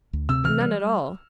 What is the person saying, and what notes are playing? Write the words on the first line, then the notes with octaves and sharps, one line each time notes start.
"None at all."
D2
C3 E6
E3 F6
G3